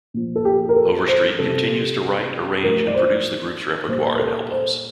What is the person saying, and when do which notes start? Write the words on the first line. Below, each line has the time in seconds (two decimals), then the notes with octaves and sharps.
Overstreet continues to write, arrange and produce the group's repertoire and albums.
0.14 A#2 F3
0.36 A4
0.45 G4
0.69 A#4
0.76 A4
1.07 C5
1.39 C3 G3 A4
2.63 A2 F3 A#4
2.87 D5
2.95 C5
3.88 A#2 G3 C5
4.14 A#4
4.19 A4
4.51 C5